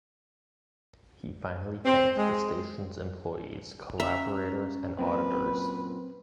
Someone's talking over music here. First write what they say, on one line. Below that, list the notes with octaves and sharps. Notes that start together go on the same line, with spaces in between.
He finally thanked the station’s employees, collaborators and auditors.
C4
G#3
C#4 E5 A#5
F#2 A#2 C4 B4